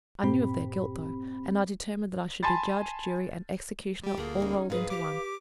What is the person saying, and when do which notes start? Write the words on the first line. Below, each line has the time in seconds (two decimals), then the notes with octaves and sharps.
I knew of their guilt though, and I determined that I should be judge, jury, and executioner all rolled into one.
0.23 G2 A#2 C4 G4 B5
2.43 G#5 A5 B5 C6 A6
4.03 G3 G4
4.17 D2 A3 A#3 F4 G#4
4.40 C#4 D#4
4.70 G#2 G#4 B4 F5
4.90 G4 D6